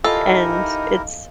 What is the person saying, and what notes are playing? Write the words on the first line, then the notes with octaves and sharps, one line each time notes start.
and it's
E4 F4 G4 A4 A#4 D#5 F5 G#5
D#4